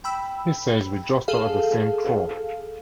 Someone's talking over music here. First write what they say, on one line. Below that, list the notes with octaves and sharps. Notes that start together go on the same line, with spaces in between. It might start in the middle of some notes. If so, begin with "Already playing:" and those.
He says we jostle at the same trough.
G5 B5 E6
G#4 A4 F5